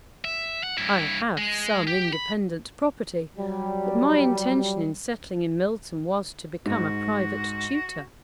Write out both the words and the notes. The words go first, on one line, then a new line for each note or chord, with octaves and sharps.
I have some independent property, but my intention in settling in Milton was to become a private tutor.'
E5
F#5
G2 E4
G#3
G4
B5
F#3 G3
G#2 F#4